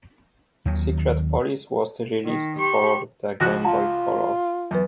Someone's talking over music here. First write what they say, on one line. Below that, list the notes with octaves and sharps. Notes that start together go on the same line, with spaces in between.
Secret Police was released for the Game Boy Color.
D#2 D#3 F#3
D#3
G4 C6 C#6
C#2 F3 F#4 F#6 A#6
F4 F#5 A5 A#5
E2 F#3 B4